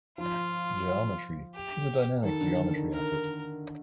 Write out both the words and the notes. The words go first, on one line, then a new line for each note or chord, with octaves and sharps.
Jeometry is a dynamic geometry applet.
F3 F4
G4
D#3 A4
D3
D#3
D#3
A#4